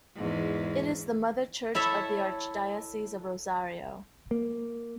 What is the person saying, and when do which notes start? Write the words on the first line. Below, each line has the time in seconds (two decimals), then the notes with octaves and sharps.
It is the mother church of the Archdiocese of Rosario.
0.16 E2 G#2
1.75 E4 A4 C#5 E5
4.31 A#3